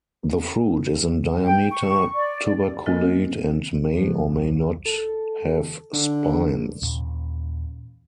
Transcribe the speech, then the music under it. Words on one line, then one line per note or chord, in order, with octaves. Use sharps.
The fruit is in diameter, tuberculate, and may or may not have spines.
G5
C#6
D5
A#3 C4 A#4 D#5
F2
C2
A4
D3
D#2 A#2 E3 C#4